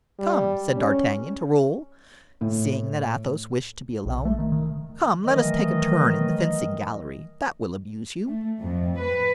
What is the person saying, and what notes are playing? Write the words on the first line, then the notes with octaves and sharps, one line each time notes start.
"Come," said D'Artagnan to Raoul, seeing that Athos wished to be alone, "come, let us take a turn in the fencing gallery; that will amuse you."
G3
C#4
A2
A#1
A3
D#3
D#3
D#3 E3 F#3 A3 A#4 D#5
A3
F2
B4